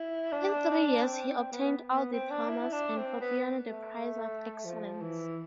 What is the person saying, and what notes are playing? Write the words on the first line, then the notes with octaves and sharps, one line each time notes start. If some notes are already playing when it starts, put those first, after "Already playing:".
In three years he obtained all diplomas and for piano the prize of excellence.
Already playing: E4
D4
C4
C4
B3
B3
C4
D4
E4
D4
C4
B3
A3
F3
E3